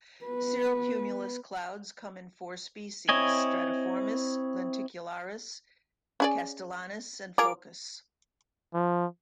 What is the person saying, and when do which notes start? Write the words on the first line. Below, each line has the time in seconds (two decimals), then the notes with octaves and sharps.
Cirrocumulus clouds come in four species: "stratiformis", "lenticularis", "castellanus", and "floccus".
0.25 B3 B4
3.09 C4 E4 C#5 D#5 G#5
6.20 C#4 G#4 D5
7.38 F4 G#4 A#4 D6
8.74 F3